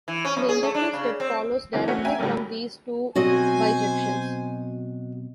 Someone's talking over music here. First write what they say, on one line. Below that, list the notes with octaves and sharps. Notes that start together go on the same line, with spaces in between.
The inductive step follows directly from these two bijections.
E3
C#4
F#2
G#4
A3
D4
C#3
C4
E3 F#3 A#3 C4
A3 C4 C#4 F#4
E5 G5 G#5 A#5
A2 D3 F#3 G3 A#3
B2 F#3 C4 F#4 C5 D#5 G#5